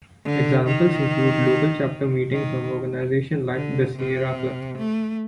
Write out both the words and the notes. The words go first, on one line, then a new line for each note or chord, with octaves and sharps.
Examples include local chapter meetings of organizations like the Sierra Club.
D3
D#3
D#3
D3
C3
A3